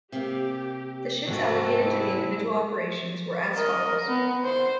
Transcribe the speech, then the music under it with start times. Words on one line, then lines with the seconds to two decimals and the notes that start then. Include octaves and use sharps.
The ships allocated to the individual operations were as follows.
0.12 C3 A#3 G4
1.28 D#2 G#2 A3 C4 F#4
1.79 G#3 E4
3.54 A#4 D#5
4.07 B3
4.45 C5